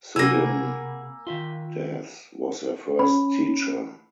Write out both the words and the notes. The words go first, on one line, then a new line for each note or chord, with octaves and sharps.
Sudhin Das was her first teacher.
C3 A#3 F#4 G#4 G#5 B5 E6 A#6
D#3 F4 E5 C6
C#4 B5